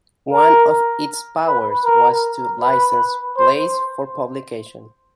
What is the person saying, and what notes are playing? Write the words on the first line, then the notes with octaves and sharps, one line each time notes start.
One of its powers was to license plays for publication.
A#4
B4
A#4
B4
C5